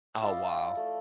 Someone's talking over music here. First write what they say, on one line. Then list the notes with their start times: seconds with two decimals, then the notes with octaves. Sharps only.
Oh, wow.
0.22 E4 F4 D5 D#5
0.77 A3